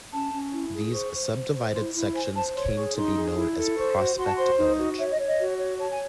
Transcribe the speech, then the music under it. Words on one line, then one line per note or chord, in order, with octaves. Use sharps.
These subdivided sections came to be known as Prospect Village.
C#4 A5
C#4
E4
G#4
C5 C#6
C5
C5
C5
E4 C6
E4
C5 G#5
C5 A5
C#5 C6
G#4 C#6
D#4 C6
G#4
E4
A4
C5 C#6
F#4
F#4 C6
A5
C5 C6
D#4
F#4
C#5 E5
D#5
C#5
D#5
F#4
C#5
C#5 A5
G#5